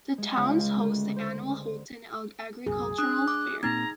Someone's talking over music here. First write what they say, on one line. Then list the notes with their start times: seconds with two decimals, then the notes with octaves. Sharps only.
The town hosts the annual Houlton Agricultural Fair.
0.18 G#3
0.37 C#2
0.77 D2
1.16 C5
2.66 C2 F#2 A#2 G#4
2.99 D4 D#6 F#6
3.28 D6
3.63 A#2 A#3 C4 D#4 A#5 G#6